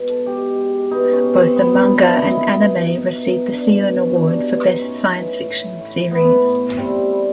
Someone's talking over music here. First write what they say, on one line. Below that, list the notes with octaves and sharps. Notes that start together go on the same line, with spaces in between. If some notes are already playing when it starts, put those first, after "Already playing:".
Both the manga and anime received the Seiun Award for best science fiction series.
Already playing: B2 G#3
A4
G#3 G4
G#3
B2 D#4
C#4
B2
C4
B2 B3
C4
B2 D4
E4
D#4
A#3 D#4
E4
D#4
B2
B2
B2
B2 D4
B2
C#4
G3 D4
D#4
B2 F4
D#4
A2 C#4
E3
A2
A2
A2 B3
A2
G3 C4
G3